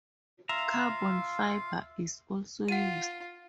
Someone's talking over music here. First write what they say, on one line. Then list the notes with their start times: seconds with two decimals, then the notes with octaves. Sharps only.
Carbon fiber is also used.
0.49 F4 E5 F5 A#5
2.69 F4 F#5 D#7